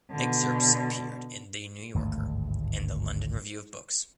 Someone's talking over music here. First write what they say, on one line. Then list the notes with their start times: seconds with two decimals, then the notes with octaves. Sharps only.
Excerpts appeared in "The New Yorker" and the "London Review of Books".
0.11 B2 D3
1.95 G#1 D2 G2 A3